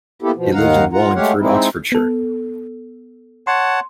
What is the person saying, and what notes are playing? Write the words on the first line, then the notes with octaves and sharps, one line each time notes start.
He lived in Wallingford, Oxfordshire.
A#3 B3 E4 G4 A4
B2 F3
D#2 D#3 D#4 F5 F#5 A#5
F4 F#5 A#5
G#3 A3 G4 C#5 F5 F#5
G#3 C4 D#4 E4
B3 A4
C#5 F#5 A5 C6